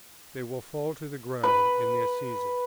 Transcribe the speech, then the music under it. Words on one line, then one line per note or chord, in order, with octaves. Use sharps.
They will fall to the ground in their season.
B4